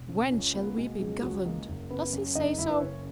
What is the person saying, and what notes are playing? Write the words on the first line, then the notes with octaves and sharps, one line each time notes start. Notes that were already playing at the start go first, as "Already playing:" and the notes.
'When shall we be governed?' Does he say so?
Already playing: E1
C#3
C#2 C#4 C#5
A#3 B3 B4
B2 G#3 G#4
C#2 G#3 G#4
C#2 F#3 F#4
G#3 A#3 G#4
F#1
C#3 B3 B4
F#2
F#1 D#4 D#5
F#1 E4 E5
B4
C#3 C#4 C#5